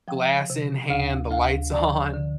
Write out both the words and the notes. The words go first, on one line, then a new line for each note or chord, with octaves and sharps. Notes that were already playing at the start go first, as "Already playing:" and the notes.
glass in hand, the lights on?
F3 G5
C3
D2 F5
D2 F5
F3 D5
D3